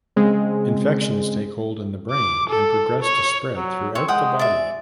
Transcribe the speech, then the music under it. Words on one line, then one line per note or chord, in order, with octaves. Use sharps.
Infections take hold in the brain and progress to spread throughout the body.
C#3 G#3 C4
D6
A4
C#5
F#3
C4 C#5
G#3 F#5 G5 D#6
D5 E5